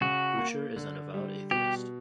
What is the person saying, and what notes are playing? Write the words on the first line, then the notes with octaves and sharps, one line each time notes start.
Boucher is an avowed atheist.
C#3 F#4
A#3
D3
G3
B2 G4